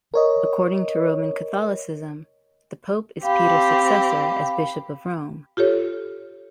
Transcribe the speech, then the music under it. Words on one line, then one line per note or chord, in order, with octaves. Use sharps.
According to Roman Catholicism, the pope is Peter's successor as Bishop of Rome.
A#4 C#5 D#5
C4 G4 F5 G5 B5
F4 G4 A4 C#5